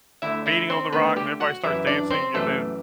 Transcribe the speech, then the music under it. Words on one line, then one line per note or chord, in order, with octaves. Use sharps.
beating on the rock and everybody starts dancing and then
D2 D3 A3 E4 E5
E4 E5
C4 C5
D2 D3 A3 B3 B4
G3 G4
F#4 F#5
F#2 E3 G3 E4 E5
D4 D5
C4 C5
F#2 E3 G3 A3 A4